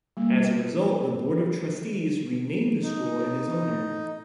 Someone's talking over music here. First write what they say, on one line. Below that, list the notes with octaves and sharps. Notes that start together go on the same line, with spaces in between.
As a result, the Board of Trustees renamed the school in his honor.
G3 A#3
D#4